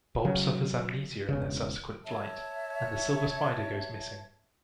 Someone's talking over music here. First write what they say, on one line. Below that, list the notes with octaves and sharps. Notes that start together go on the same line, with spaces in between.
Bob suffers amnesia in their subsequent flight, and the Silver Spider goes missing.
C#3 F#3
E1 C#3
C#5 E5 A5